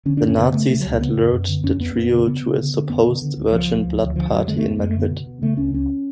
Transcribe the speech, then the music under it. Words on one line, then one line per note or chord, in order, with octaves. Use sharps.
The Nazis had lured the trio to a supposed virgin-blood party in Madrid.
D3 C#4
F#2 D4
C#4
C#3 B3
C#3 A3
B2 A3
F#3
C#2 G#3
C#3 B3
F#2
F#2
D3
F2 C#4
F2 B3
F2 B3
C#3
C#3 B3
C#3
D3
D3
F2 B3
D3
D3
D2
C#2 F3
B2
D2
D2
D3 F3
F2 F#3
D3 G#3
A3
F2
B3
F#2 G#3
A3
D3 B3
B2
B2
C#3 A3
C#2 C#4
C#2 C#4